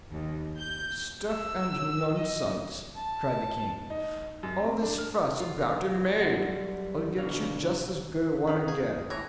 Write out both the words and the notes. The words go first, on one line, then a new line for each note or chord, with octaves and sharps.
'Stuff and nonsense', cried the king; 'all this fuss about a maid! I'll get you just as good a one again.
D#2
G6
E6
D#5
A5
D#4
F#2
C4
D4
F6
F4
B1
F#2 G3 F#5
C#2 B2 D3 F5
D#3 C#4 B4 F5 A#5
G#4
A2 E3 C#5 A#5